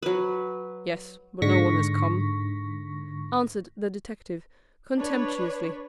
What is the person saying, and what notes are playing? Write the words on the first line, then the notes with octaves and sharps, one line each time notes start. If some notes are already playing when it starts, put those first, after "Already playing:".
"Yes, but no one has come," answered the detective, contemptuously.
F#3 B4
G#2 D3 C#6 A#6 B6
D4 B4 C#5